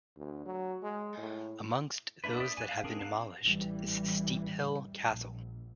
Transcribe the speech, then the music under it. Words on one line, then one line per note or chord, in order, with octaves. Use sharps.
Amongst those that have been demolished is Steephill Castle.
D2
F#3
G#3
A2
A#3 D4 E4 B4
A4 D5 E5 D#6
G#5 F#6
F5
C4 D4 G#4 A#4
D#4 F5 F#5 A5
A1 E3 G3
A#1